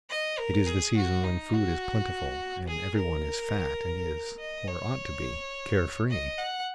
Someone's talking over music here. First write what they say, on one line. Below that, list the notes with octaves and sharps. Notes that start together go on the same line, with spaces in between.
It is the season when food is plentiful, and every one is fat and is, or ought to be, care free.
D#5
A#4
G#4
F#4
D#4
F#4
G#4
A#4
D#5
C#5
D#5
F#5